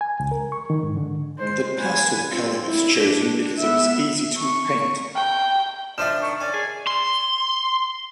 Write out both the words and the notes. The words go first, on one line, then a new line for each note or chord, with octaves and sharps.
The pastel colour was chosen because it was easy to repaint.
G#5
C#2
A#4
C#6
D#3
G#2
D3
G#3 C5
B4 G#5
C4 F4
E4
D4
B3 E5
C#6
G5
F3 D4 C5 E5 A5 E7
D#3 C#6
C#4 D5 G#5
G#4
C6